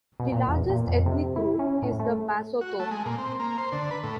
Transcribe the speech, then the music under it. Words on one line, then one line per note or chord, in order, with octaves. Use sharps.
The largest ethnic group is the Basotho.
B2
A#2
E2
A#2
F2
C3
E4
C#4
A2
A3
F#4
A3
G#3
A#2
C4
A#3
C5
D3
B4
A2